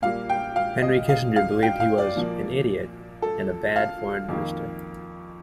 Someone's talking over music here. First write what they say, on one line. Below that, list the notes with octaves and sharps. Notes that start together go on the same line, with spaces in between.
Henry Kissinger believed he was "an idiot" and a "bad" foreign minister.
A#2 G3 A#3 F5
G5
F5
D#5
F5
F5
G5
F5
D5
A#2 F3 A#3
A4
F5
F2 D#3 A#3